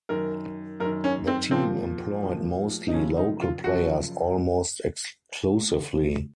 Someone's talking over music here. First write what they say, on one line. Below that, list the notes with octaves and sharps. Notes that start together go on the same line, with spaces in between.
The team employed mostly local players almost exclusively.
F#2 D#3 A#4
F#2 D#3 A#4
C#4
C4
A#2 F3 C4
A#2 F3
D#4
F#2 C#3 F3 C#4
D#4
F4
F#2 C#3 F3 F#4